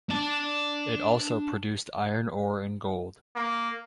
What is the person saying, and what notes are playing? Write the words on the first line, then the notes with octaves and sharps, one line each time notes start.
It also produced iron ore and gold.
D4 A5
A#3